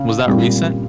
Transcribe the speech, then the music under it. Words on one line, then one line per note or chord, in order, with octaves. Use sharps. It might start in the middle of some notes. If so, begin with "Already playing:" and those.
Was that recent?
Already playing: C#3
A#2 G3 C4 F4